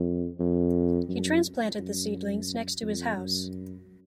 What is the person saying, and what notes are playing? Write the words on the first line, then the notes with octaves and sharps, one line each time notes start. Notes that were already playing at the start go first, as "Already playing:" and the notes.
He transplanted the seedlings next to his house.
Already playing: F2
F2
F#2
F#2
F2
F#2